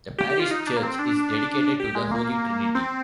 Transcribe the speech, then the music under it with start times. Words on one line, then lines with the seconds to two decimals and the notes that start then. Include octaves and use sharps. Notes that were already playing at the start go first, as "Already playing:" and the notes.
The parish church is dedicated to the Holy Trinity.
0.18 G4
0.30 G4
0.40 F4
0.51 D#4
0.67 D4
0.77 A#3
0.83 C4
0.99 D4
1.80 G4
1.95 G#3
2.11 A#3
2.75 C4